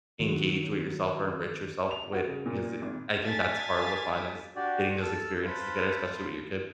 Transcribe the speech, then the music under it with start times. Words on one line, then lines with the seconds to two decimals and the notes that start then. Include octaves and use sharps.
engage with yourself or enrich yourself with because it I think that's part of the fun, is getting those experiences together, especially with your kid.
0.20 D#3 F#3
1.91 F7
2.13 F#4
2.27 C#3
2.46 A#2
2.82 G#1
3.22 F5 G#5 A5 A6 B6
4.56 D4 F#4 G4 D5
5.02 A4 A5 E6 F6
5.45 B4 C5 F5 A5 B5